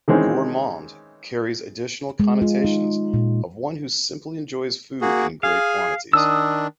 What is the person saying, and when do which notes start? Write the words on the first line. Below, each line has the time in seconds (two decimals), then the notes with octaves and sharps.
"Gourmand" carries additional connotations of one who simply enjoys food in great quantities.
0.08 D#3 E3 G#3 C4 C#4 D#4
2.20 G#3
2.42 F4
2.65 D#4
3.14 A#2
5.01 A#3 F#4 G#4
5.43 G#4 F5 G#5
6.13 D#3 D4 D#6 E6